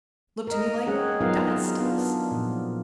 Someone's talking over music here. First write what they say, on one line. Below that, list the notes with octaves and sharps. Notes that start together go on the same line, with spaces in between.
Look to me like dyestuffs.
A#4 D#5
G#3 C4 C#4 G#4 F#5
F#3 B3 D#4 F4 A#4 F5
B3 D4 F4
A#2 F3